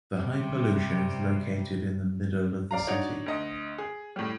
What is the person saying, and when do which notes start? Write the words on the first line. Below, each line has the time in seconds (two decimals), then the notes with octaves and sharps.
The high pollution is located in the middle of the city.
0.16 C3 G3
2.71 D5 F5 A#5
2.87 D4 D#4 F#4 C#5 D5
3.26 D2 D#5
3.78 G#4
4.16 A2 G3